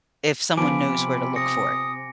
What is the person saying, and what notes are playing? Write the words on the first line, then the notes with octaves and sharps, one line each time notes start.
if someone knows where to look for it,
C3 F3 B3 F4 G#5 B5 D6 D7
D#6 A#6 C#7